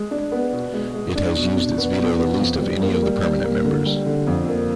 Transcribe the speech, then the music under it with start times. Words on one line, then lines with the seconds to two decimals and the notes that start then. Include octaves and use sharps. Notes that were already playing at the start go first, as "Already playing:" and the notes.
It has used its veto the least of any of the permanent members.
Already playing: G#3
0.11 D4
0.32 B3
0.53 B2
0.74 G#3
0.94 G#3
1.16 D4
1.36 B2
1.57 D4
1.78 B3
1.98 B2
2.19 B3
2.40 F2
2.61 G3
2.82 A#3
3.02 G3
3.23 G3
3.44 A#3
3.64 D3
3.86 G3
4.06 D3
4.27 F2
4.48 A#3